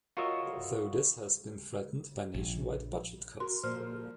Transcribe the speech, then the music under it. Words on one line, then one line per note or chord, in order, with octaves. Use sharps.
Though this has been threatened by nationwide budget cuts.
F4 F#4 A#4 C#5 D#5 E5
A#1
F#4 A#4 C6
A#2 F3 A#3 C5 F6